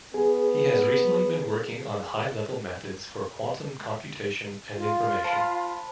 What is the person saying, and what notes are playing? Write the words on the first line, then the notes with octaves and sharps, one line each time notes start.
He has recently been working on high-level methods for quantum computation and information.
B3 G#4
F4
C5 A5 B5